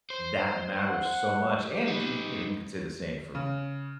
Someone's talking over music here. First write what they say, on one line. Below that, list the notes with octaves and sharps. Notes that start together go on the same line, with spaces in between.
that matters so much, and you you know, you could say the same for
C5
F#5
G4
D#4 B4
C#3